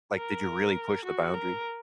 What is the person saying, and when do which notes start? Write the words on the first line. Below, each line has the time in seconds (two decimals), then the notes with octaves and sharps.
Like, did you really push the boundary?
0.18 A#4
1.05 F#4
1.34 A#4